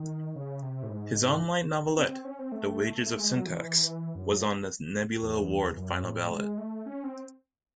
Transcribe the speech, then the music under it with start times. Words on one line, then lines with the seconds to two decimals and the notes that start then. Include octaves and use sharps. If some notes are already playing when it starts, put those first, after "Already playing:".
His online novelette "The Wages of Syntax" was on the Nebula Award final ballot.
Already playing: D#3
0.36 C#3
0.62 C3
0.83 A2
0.89 G#2
1.98 C4
2.25 C#4
2.39 C4
2.52 A3
3.06 A3
3.20 G#3
3.33 F#3
3.46 E3
3.60 E3
4.15 F#2
5.23 E2
5.77 F#2
6.04 A2
6.31 G#3
6.58 A3
6.86 C#4
7.04 C4